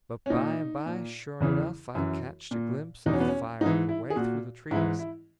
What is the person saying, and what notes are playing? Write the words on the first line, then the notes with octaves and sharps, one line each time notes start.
But by and by, sure enough, I catched a glimpse of fire away through the trees.
C#4
A#2 D#4
A#2
E2 C#3 E3
F#2 E3
A#2
E2 B2 C#4 D#4
B3
C#4
G#2 D#4
E3
E4
G#4
A#2 F#4
G#2 E3 E4
E4